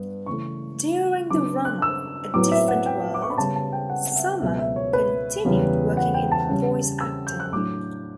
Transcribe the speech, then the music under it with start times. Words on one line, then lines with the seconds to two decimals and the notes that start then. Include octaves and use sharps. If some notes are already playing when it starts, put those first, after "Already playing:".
During the run of "A Different World", Summer continued working in voice acting.
Already playing: G2 B3
0.26 C#3 E3 A3 C#6
1.30 C#3 F#3 B3 D4 D6
1.65 F#6
1.82 E6
2.34 A2 F#3 B3 D6
2.52 E5
2.68 F#5
2.86 G5
3.14 D6
3.22 C#6
3.30 B5
3.38 C#3 G3 B3 A5
3.56 A5
3.73 G5
3.89 F#5
4.12 F#5
4.16 E5
4.41 C#2 B2 F#3 B3 E5
4.59 E5
4.76 C#5
4.93 B4
5.45 E2 C#3 G3 B3
5.97 F#5
6.14 G5
6.32 A5
6.49 C#3 G3 C#4
7.01 E6
7.27 G6
7.40 F#6
7.52 A2 F#3 A3 D4 D6